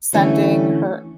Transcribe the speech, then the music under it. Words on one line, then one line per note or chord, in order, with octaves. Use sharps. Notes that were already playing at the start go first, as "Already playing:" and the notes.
sending her
D3 E3 A3 C#4